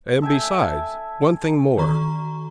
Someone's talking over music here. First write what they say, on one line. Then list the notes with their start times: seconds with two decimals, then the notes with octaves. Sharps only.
And besides--one thing more!
0.22 A4 E5 G5 G#5
1.77 D#3 F#4 A#5 C#6